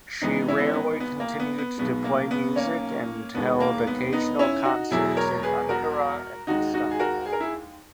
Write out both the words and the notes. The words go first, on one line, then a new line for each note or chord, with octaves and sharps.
She rarely continued to play music and held occasional concerts in Ankara and Istanbul.
G#1 G#2 E3 G#3 B3 D#4
C#4 E4
B3
C#4
B3 D#4
B3
A#3
B3
B3
B1 B2 G#3 B3
A#3
B3
A#3 C#4
E1 D#2 D#3 G#3 B3
A#3
B3
B3 D#4
C#4 E4
D#4 F#4
E1 E2 B2 F#3 E4 G#4
A#4 C#5
G#4 B4
F#4 A#4
D#2 D#3 G#3 D#4 F#4
D#4 F#4
G#4
F#4 A#4
G#4
A#4
E4 G#4